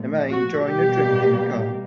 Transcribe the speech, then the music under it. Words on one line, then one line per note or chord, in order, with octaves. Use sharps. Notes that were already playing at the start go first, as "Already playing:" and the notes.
A man enjoying a drink in a cup.
Already playing: A#2 F3 A3
F#4
B2 G3 A#3 G4